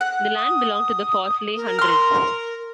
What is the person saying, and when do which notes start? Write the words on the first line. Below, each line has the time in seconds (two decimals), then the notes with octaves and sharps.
The land belonged to the Fawsley Hundred.
0.01 F#5
0.36 D#6
1.55 A#4
1.79 C6 F6